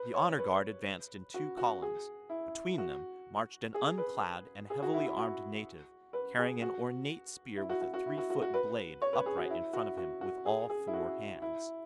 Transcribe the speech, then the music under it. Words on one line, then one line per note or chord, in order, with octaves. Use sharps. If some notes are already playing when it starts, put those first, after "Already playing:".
The honor-guard advanced in two columns; between them marched an unclad and heavily armed native carrying an ornate spear with a three-foot blade upright in front of him with all four hands.
Already playing: B4
C#5
B4
F#4
F#4
G#4
E4
F#4
G#4
B4
G#4
F#4
E4
E4
F#4
B4
G#4
F#4
E4
F#4
F#4
F#4
E4
F#4
F#4
F#4
B4
C#5
B4
G#4
F#4
E4
F#4
F#4
F#4
G#4
G#4
E4
F#4
E4